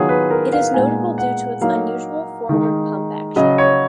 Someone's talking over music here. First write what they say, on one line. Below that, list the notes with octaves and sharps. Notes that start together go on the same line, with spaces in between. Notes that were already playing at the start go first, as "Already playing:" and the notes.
It is notable due to its unusual forward pump action.
Already playing: D#3 F#3 B3 F4 G#4
B4
A#4
F5
A#2 G#3 B3 D#4 G#5
F#5
F#3 A#3 D#4 F5
D#3 G#3 D#4
C#3 F#3 C#4 D#5
C#5